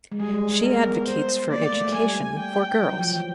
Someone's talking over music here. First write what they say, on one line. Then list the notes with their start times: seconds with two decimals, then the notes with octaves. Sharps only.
She advocates for education for girls.
0.12 G#3
0.20 G3 G#4
0.34 G#3
0.49 G#3
0.63 B3 A#4
1.07 C5
1.51 A#3 D5
1.73 A3
1.94 G3 G#5
2.38 G5
2.82 F#3 G5
2.97 F3
3.12 E3